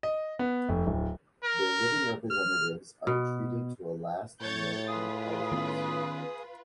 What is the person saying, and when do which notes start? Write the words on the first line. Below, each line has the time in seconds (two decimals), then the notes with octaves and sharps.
Their living representatives are treated to a last meal in the houses.
0.03 D#5
0.39 B3
0.69 F1
0.87 D1
1.45 A#4
2.31 F6
3.07 B2
4.41 A2 C#5 G6 A6
4.88 F4 G#4 B4 D#6
5.52 D#3 B3 C#4